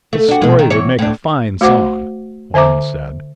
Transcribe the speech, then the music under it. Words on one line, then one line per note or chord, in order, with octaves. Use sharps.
"His story would make a fine song," one said.
A3
D4 F#4
B2 G#3
D#3
E2 E3 C#5
A2 D4
A3 F#4 C5 F#5 D6
D3 C5 E5 A#5 D6